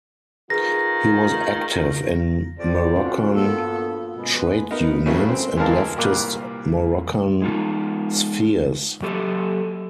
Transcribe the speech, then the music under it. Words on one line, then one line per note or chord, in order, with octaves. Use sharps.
He was active in Moroccan trade unions and leftist Moroccan spheres.
D#3 F4 G#4 B4 A#6
F2 G4 C5 D5
C#4 F4 F#4
G2 F3 A#3 B3 A4
B2 G#3 B3 C#4
B4
B3 D#4 A#4
A2 C#3 F#3 A3 A#3 F#4
C4
D2 E3 G#3 A#4 F5 A5
C2 G2 A#2 A#4 D6 F#6
G#3 D#4 F4
F#3 G4 A4